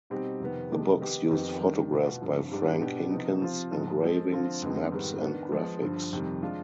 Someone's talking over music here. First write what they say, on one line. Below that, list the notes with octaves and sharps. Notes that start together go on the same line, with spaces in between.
The books used photographs by Frank Hinkins, engravings, maps and graphics.
B2 G3 C4 D#4 G4
F2 C3 D#3 B3
C3 F3 G#3 D4 G4
D#3 B3 D#4 G4
F2 D#3 B3 D#4 G4
D#3 G3 D4
B2 B3 F4
G2 F3 C4
G#2 G3 D4 G4
B2 B3 D4 G4
C3 F3 B3 D#4
C3 F3 C4 F4
G#2 F3 G#3
F3 G#3 C4
D3 F3 C4 F4
F2 D3 G#3 B3
G#2 D#3 G3 B3
D#3 B3 D4
F3 G#3 B3
G2 D3 F3
F2 C3 D#3 G3
F3 G#3 D4 F4